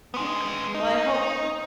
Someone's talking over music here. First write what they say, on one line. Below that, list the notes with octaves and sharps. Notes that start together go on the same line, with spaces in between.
Yeah, well, I hope
G#3 B3
D#4